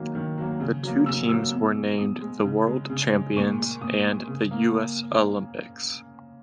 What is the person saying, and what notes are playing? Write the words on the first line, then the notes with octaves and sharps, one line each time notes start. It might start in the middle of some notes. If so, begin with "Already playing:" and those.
The two teams were named the "World Champions" and the "U. S. Olympics".
Already playing: D#3 F#3 A#3
D#3
F#3 A#3
C#3
F#3 A#3
C#3 E6
F#3 A#3 E6
B2
G#3
B2 D#6
G#3
C#3
G#3
C#3
G#3
A#2 C#6
G#3
A#2 D#6
G#3
C#3
A#3